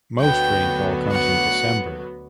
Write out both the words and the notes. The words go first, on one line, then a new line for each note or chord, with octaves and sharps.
The most rainfall comes in December.
D2 D3 F#3 B3 F#4 G5
F#5